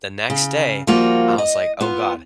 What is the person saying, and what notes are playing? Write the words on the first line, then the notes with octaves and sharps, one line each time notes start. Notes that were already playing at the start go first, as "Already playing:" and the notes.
the next day, I was like, "Oh god.
C#3
F3 G3 A#3 F4 F#4
D#5
B3 F4